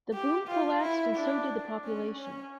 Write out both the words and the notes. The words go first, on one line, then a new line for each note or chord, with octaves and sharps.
The boom collapsed and so did the population.
G4
F4
E4
D4
C#4
C#4